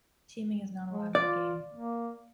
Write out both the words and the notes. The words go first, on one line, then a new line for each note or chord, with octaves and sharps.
Teaming is not allowed in the game.
G#3
F4 D5
A#3